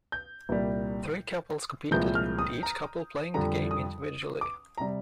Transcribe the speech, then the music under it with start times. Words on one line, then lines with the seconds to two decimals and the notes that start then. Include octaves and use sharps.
Three couples competed, with each couple playing the game individually.
0.12 G6
0.49 C2 A#2 G3
1.91 C2 A#2 F3 G#3 G6
2.15 F6
2.39 D#6
2.63 A#5
3.34 F2 D3 G3 A#5
3.71 D#6
4.41 D6
4.78 C3 G3 A#5